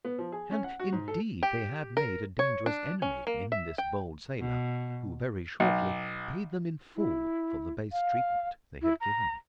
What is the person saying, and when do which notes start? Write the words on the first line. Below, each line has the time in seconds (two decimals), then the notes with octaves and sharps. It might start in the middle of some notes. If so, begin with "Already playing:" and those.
And indeed they had made a dangerous enemy in this bold sailor, who very shortly paid them in full for the base treatment they had given him.
0.05 B3
0.19 F3
0.32 G#4
0.51 C#4
0.64 F#5
0.80 F#4
0.92 G#2
1.08 A4
1.43 G4
1.97 A#4
2.39 C#5
2.66 D4
3.02 C#4
3.27 A#3
3.52 E5
3.78 G5
4.40 B2
5.60 B1
6.96 E4
7.92 F5
8.82 E4
9.00 A#5